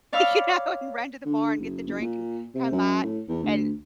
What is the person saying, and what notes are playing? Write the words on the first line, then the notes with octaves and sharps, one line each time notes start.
you know, and run to the bar, and get the drink and come back and,
C#5 D5 F5 B5 E6 F6
D3
F#1
F#1
A#2
C3
F#2
A2
E2
D2